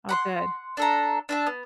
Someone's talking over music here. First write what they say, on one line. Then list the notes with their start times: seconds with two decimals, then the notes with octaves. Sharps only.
Oh, good.
0.09 F#5 B5 C6
0.77 D4 A4 A#5
1.29 D4 E5 A5
1.47 B3